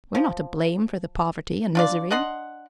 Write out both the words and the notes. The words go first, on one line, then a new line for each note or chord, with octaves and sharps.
We're not to blame for the poverty and misery.
F3
D4 F4 D5
D4 D#5 F#5 C6